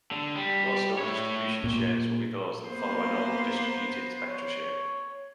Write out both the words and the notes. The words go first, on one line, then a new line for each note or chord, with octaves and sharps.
Most known distribution shapes would be those that follow a normal distributed spectra shape.
D3
G3
A3 C#5
A#2
A#3 B3 C5
C#5